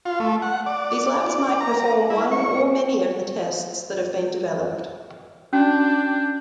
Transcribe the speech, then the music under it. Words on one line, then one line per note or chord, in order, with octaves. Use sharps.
These labs might perform one or many of the tests that have been developed.
F4
A3
F#5
D5
D5
A#5
E4
C#6
C#4 D4 F#4 G5